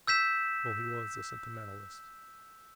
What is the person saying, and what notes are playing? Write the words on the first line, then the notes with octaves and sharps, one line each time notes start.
Well, he was a sentimentalist.
E6 G6 B6 E7